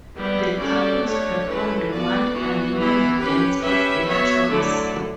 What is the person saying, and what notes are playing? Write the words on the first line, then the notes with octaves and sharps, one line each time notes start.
The couples performed one unlearned dance of their choice.
G3 B3 E4
G3 C#4 F#4 A4 D5
A3 D4 G4 C#5
E3 A3 C#4 E4 B4
B3 F#4 B4 D5
E3 B3 F#4
E3 B3 E4
C#4 G4 B4
C#4 G4 B4 E5
B3 F#4 C#5 E5
D3 F#3 A3 E4 A4